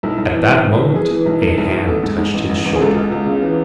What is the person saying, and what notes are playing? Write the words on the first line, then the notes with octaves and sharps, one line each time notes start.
At that moment a hand touched his shoulder.
B1 E4
B1
E3
B1
A2
A2
E3 G#4
E3
B1
B1
B1
B1
A1 A4
G#2
G#2
A1
A1
A1
G#4
C#2 A4
C#2
C#2
C#3
E3